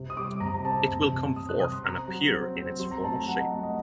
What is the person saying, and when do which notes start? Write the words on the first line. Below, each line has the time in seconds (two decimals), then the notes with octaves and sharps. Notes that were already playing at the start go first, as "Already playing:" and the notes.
It will come forth and appear in its former shape.
Already playing: C3 C4
0.10 D#6
0.17 G3 D6
0.40 C3 A#5
0.54 A#5
0.64 C4 A5
0.88 C3
1.12 C3
1.36 C3 D#6
1.49 F#6
1.60 C3 D#6
1.72 C6
1.84 C4 A#5
2.08 F#3
2.32 C4
2.55 C4
2.79 F#3 C6
2.91 A#5
3.03 A3 A5
3.16 A#5
3.28 F#3 F#5
3.40 D#5
3.51 A3 F#5
3.63 D#5